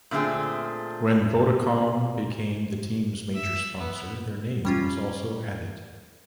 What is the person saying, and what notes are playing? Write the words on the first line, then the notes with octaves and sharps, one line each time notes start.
When Vodacom became the team's major sponsor their name was also added.
A#2 D3 A3 C4 G#4
E5
B3
G3 C#4 F4